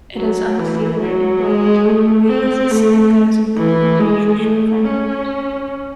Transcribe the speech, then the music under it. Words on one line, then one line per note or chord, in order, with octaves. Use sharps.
It is unclear in what ways silica is important in the nutrition of animals.
F#3
E3
F#3
G#3
A3
C4
A3
E3
G#3
A3
C#4